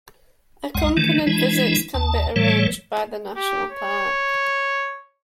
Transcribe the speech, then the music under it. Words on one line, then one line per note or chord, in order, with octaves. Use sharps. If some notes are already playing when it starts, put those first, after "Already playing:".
Accompanied visits can be arranged by the national Park.
C2 F2 G#3 F#5
D#3 E3 A3 D4
E3 G#3 D4 E4
D#2 A5
A2 E3 G3 A3 C#5
G4
C#5